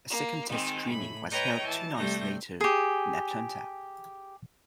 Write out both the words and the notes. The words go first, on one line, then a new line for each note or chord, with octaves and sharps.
A second test screening was held two nights later in Atlanta.
A#3
D#3 G#3 C4
A2 B5
B4 C#5 D#5 G5 A#5 G6
E3 A5
C3 G3 A3 G6 A#6
G4 G#4